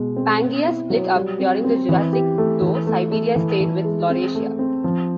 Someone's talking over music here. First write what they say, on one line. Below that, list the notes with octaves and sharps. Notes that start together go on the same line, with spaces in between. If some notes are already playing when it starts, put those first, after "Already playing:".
Pangaea split up during the Jurassic though Siberia stayed with Laurasia.
Already playing: B2 G#3
C4
B3
E4
F#3
G3
C4
C4
E3
G4
A3
E3
A3
A3
E3
E3
G#3
C4
A3
C4
F3